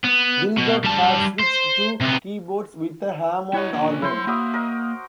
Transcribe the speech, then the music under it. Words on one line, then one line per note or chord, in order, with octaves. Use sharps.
Gilbert had switched to keyboards with a Hammond organ.
B3
B2
G3 A5
C5
C3 B3
E4 C#5 D#5 F#5
A#3 D4
F#3 E4 C5 C6
A#3 F#4 E5 D#6
A#4 D#5